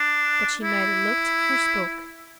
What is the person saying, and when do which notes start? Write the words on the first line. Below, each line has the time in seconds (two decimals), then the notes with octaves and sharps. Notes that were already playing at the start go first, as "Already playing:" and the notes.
But she neither looked nor spoke.
Already playing: D4
0.63 E4